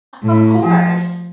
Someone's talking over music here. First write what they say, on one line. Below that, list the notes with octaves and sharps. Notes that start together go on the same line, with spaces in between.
Of course.
A2
F3